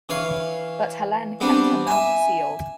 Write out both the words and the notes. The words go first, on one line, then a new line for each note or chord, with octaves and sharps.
But Helene kept her mouth sealed.
E3 C#5 F5
G3 B3 C4 D4
E5 G#5